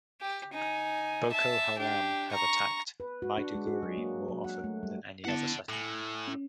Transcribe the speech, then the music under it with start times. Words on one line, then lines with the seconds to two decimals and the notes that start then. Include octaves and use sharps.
Boko Haram have attacked Maiduguri more often than any other settlement.
0.21 G4
0.53 D#4 G#5
1.32 E5 A5
1.78 D4 G4
2.31 A#5 C#6
3.00 B4
3.22 F#4
3.37 D4
3.55 G#3
3.67 F#4
3.83 F#3
3.97 A#3
4.28 F#3
4.44 F#5
4.64 A3
4.83 G3
5.25 D3 B3 E4 F#5 A5
5.69 A2 G#5 F#6
6.28 C#4